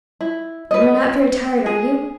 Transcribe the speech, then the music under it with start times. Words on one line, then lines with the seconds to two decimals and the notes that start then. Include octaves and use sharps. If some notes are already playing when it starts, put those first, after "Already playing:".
You are not very tired, are you?
0.21 E4
0.71 B4 D#5
1.66 G#4